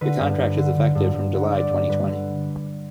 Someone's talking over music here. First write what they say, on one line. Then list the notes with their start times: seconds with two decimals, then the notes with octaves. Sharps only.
The contract is effective from July twenty twenty.
0.01 D3 B4
0.20 G2
0.38 G2
0.57 D3
0.77 D3
0.95 G2
1.14 G2
1.33 D3
1.51 D3 D5
1.70 G2
1.89 G2 B4
2.08 D3